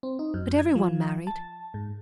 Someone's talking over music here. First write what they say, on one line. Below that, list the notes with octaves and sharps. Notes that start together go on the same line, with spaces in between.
But every one married.
C4
D#4
F#2
G#6
F3
A5
G#2